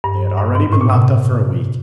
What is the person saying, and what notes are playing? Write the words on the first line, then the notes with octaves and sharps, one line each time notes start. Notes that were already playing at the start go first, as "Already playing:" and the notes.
They had already been locked up for a week.
G2
G2
G#2
A2
A#2
C3